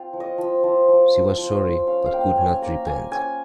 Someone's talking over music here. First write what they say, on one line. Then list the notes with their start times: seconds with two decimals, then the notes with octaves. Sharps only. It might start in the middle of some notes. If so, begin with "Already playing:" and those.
She was sorry, but could not repent.
Already playing: C4 F4 F5
0.13 F3
0.20 D#5
0.38 F3
0.64 F3
0.88 F3
1.14 F3
1.38 F3
1.63 F3
1.87 C#4 F5
2.05 F5
2.13 A#3 G5
2.37 C#4 G#5
2.62 A#3 A#5
2.87 A#3 G#5
3.11 C#4 G#5